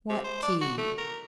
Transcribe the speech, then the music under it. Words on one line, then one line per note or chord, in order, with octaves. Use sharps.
"What key?"
C3
C5
D5
F#4
A3
A#4